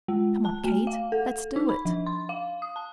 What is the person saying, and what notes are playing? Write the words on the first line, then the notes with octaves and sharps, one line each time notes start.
Come on, Kate, let's do it!
G#3
A5
A3
F5
A4
D#4
B5
F3
C6
F5
D#6
A5